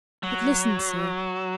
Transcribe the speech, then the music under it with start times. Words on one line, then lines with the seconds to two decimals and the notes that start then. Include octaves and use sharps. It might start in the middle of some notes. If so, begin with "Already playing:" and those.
But listen, sir.
0.23 F#3